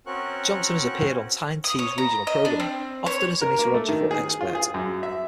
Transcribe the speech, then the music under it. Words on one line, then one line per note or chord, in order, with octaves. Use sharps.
Johnson has appeared on Tyne Tees' regional programming, often as a metrological expert.
C4 C#4 F#4 A#4 C#6 F#6
D#6
C#5
A#5
D#5
D4
C4
C#5
A#4
A#3
A3
D#3
G#4
F4
G#4
F#2
E5